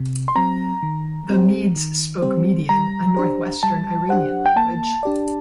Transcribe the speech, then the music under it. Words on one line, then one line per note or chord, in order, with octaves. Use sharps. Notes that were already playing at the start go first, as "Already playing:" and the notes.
The Medes spoke Median, a north-western Iranian language.
Already playing: C3
C6
F#3 C4 A#5
D#3
G3 C4 G4 C5
D#3
G3 C4 G4 C5
G3 A#5
D4 G4 C5
G3 A5
D4 G4 C5 F#5
G5
A#3 A5
D4 G4 D5